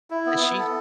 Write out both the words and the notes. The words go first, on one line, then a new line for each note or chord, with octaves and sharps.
And she
E4
B3
B3
A4